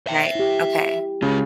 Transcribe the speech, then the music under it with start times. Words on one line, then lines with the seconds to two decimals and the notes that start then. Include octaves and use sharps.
Right, okay.
0.07 E5 G5
0.35 E4 G4
1.22 C#3 G#3 F4